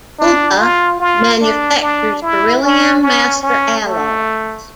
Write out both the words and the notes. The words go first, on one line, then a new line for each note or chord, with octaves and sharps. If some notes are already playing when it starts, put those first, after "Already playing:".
Ulba manufactures beryllium master alloys.
D4
F4
F4
D4
D4
E4
C#4
C#4
C#4
A3